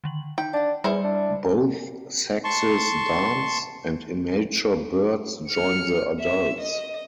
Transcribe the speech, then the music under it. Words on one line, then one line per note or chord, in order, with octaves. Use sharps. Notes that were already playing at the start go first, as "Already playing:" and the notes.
Both sexes dance, and immature birds join the adults.
D3 D#3 F#7
D#4 G5 A#5
D4 F5 F#5
E2 G3 E4 C5 C#7
D4
A5 C6 C#6
F6 C#7
E5
D#5